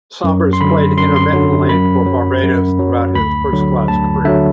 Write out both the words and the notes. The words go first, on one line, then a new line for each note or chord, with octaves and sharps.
Sobers played intermittently for Barbados throughout his first-class career.
F#2
C6
D3 F#3 B5
F#2 C6
C6
D3 F#3
F#2 B5
F#3
F#2
F#3
D2 B5
D3 F#3
D2 A5
D3 F#3 E5